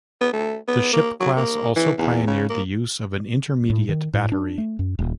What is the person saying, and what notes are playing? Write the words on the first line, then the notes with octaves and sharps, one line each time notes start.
The ship class also pioneered the use of an intermediate battery.
B3
A3
B3
A#3
F#3
A#3
E3
E2
C#3
A#3
A2
D#3
A2
D4
A3
F#2
D#1